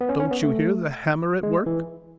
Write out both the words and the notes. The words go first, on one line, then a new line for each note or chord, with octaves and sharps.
Don't you hear the hammer at work?
B3
C#4
C#4
B3
A3
G#3
E3